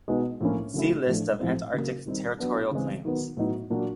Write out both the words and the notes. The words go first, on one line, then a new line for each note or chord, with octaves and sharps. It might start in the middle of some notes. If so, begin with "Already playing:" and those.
See List of Antarctic territorial claims.
B2 G#3 B3 D#4
A2 F3 A#3 C#4 E4
C#3 F#3 A3 C#4 E4
A2 F3 A3 D4
A2 F3 G#3 C4 E4
C#3 F#3 A#3
D#3 G3 C4 D#4
F#3 B3 D4
C#3 E3 G#3 C4
D#3 F#3 B3
A2 F#3 B3 D#4
A#2 F#3 A#3 D4